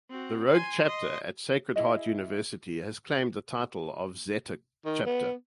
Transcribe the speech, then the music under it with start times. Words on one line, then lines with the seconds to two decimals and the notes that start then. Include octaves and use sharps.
The rogue chapter at Sacred Heart University has claimed the title of Zeta Chapter.
0.10 C4 F#4
0.52 G#5 C6
0.85 D#5 C6
1.76 E4 G#4 D#5
4.85 D#3
5.06 B3